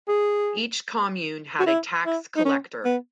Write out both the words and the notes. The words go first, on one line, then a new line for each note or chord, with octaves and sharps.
Each commune had a tax collector.
G#4
F#4
E4
E4
D#4
C#4
B3